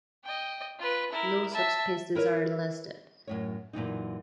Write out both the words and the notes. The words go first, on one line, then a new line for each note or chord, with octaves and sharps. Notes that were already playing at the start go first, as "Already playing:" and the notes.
No subspecies are listed.
D#5 G5
F4 B4
E4 A#4
E5 A5
E4 A#4 B4 C#5
F#2 A2 C#5
F#2 A#2 E3 D#4